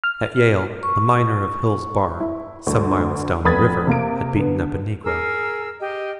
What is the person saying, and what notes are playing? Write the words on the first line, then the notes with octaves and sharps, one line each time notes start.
At Yale a miner of Hill's Bar, some miles down the river, had beaten up a negro.
F6
C#6
E4
D2 G2
F1 B3 B5 D#6 G#6 A6
C3 A#3 D7
D3 B3
G#4 A#4 E6
G4 D#5